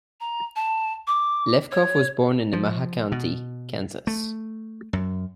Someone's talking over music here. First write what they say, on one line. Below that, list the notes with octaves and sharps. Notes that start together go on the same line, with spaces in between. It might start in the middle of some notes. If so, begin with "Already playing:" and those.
Lefkow was born in Nemaha County, Kansas.
A#5
A5
D6
C#5
F3
B2
A3
F#2